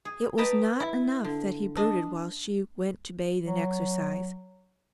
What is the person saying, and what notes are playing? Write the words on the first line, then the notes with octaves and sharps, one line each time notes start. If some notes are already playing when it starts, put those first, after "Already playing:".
It was not enough that he brooded while she went to bathe and exercise.
G#4
B4 D5 D#5 G5 A5 A#5
E4
D3
D4 D#5
F#3